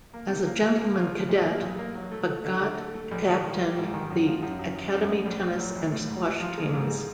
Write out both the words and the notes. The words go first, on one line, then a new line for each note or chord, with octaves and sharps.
As a gentleman cadet, Bhagat captained the academy tennis and squash teams.
A#3
C3
A#3
A#3
A#3
F3
A2
B1
A#3
B1
A#3
F#3
A3
A3
D3
D3
A3
A3
A#1
D#3
D#3
G3
G#2
D#3
F#2
F3
F#2
F#2
F#2
F#2
A2
A#1
A2
F#3
A#1
A2
G#2
A1
F3
G#3
G#2
G#3